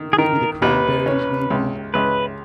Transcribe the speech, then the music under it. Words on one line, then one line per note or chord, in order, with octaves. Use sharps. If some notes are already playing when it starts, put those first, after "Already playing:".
maybe The Cranberries, maybe?
Already playing: D#3
G#4
D#3 A#4
D#2 B4
C#4
C#2
C#2 B4